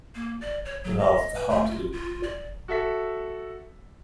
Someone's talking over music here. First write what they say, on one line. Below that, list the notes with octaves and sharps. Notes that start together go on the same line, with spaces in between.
He laughed heartily.
A#3
D5
C#5
F#3
D#5
B4
A3
F4
F4
D5
F#4 A4 E5 B6